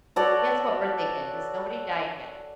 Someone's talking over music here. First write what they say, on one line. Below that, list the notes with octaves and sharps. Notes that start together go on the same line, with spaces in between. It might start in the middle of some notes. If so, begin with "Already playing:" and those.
That's what we're thinking 'cause nobody died yet.
F#4 A4 C#5 D5